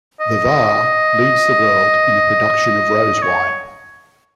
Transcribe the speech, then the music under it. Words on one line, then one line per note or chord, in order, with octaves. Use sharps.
The Var leads the world in the production of rose wine.
D#5
C#5